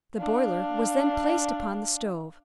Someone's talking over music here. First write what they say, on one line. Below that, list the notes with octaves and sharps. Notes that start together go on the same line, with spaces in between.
The boiler was then placed upon the stove.
D4 F5